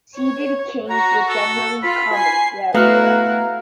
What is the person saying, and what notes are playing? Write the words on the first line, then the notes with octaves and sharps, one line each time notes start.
Seated kings were generally common throughout Europe.
C#5
F#4 A#5
A4
F4 B5
G#5 C7
A3 B3 E4 F#4 F5 A#5 F6 F#6